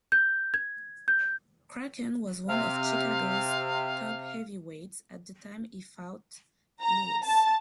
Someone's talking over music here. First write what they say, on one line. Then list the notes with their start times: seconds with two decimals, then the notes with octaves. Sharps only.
Kracken was one of Chicago's top heavyweights at the time he fought Louis.
0.12 G6
0.54 G#6
1.08 G6
2.47 C3 F5
6.82 A#5
7.25 A5